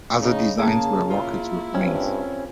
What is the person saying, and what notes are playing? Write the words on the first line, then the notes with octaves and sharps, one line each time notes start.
Other designs were rockets with wings.
C#3 D#4
C#3 A#3 G#4 A5
E4 F4
G2 C4 C#4